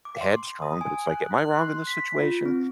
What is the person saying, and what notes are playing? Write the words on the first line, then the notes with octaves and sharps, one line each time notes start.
headstrong, but it's like, am I wrong in this situation?
D6
C6
D#6
G#5
F#6
F#6
C6
B6
F4
C4